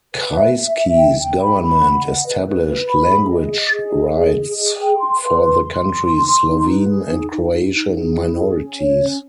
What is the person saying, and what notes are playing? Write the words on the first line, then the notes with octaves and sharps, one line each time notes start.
Kreisky's government established language rights for the country's Slovene and Croatian minorities.
B4
E5
E5
E5
G5
G5
B5
B5
F#5
D#5
B4
B4
B4
B5
G#4
D#5
D#5
G#4
D#5
G#4
D#5
G#4
G5
C6
B4
C6
C6
C6
C6
C6
D#4
B4
G#4
D#4
D#4
D#4
D#4
G#4
E4
G#4
C#4
C#5
C#4